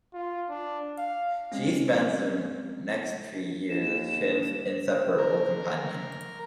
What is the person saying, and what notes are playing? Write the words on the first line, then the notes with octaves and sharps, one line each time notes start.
She spends her next three years as Fynn's inseparable companion.
F4
D4
F5
G#3 C4 C#4
D#2 E7
A#4